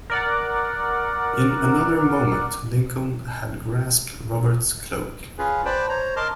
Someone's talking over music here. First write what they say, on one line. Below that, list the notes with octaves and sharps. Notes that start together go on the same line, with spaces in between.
In another moment Lincoln had grasped Robert’s cloak.
A#4 D5 F#5
C#4 F4 G#4 B4
B4 C5 D5 G5 A5 B5
C5 C#5 A#5
A#4 D#5 A5 C6 D6 F6